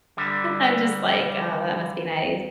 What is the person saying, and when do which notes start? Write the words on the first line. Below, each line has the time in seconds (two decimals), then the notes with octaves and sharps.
I'm just like, "Oh, that must be nice."
0.17 D3 G3